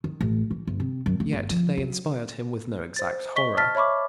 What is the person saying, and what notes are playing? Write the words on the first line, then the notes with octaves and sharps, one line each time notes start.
Yet they inspired him with no exact horror.
D#3
A1
E3
G1
C3
F#2
D2
G1
F3
F#3
C5 A6
D#5 C#6 B6 G7
A5 F6 A6 B6
C#5 E5 B5 C#6 D6